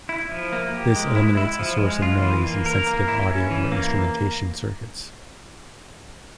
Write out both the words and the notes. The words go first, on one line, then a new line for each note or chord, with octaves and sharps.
This eliminates a source of noise in sensitive audio or instrumentation circuits.
E4
F3
A#3
G4
G#3
E4
E4
F3
G#3
F4
E3
A#3
A#4
A#3
E4
C#4
E3
A#3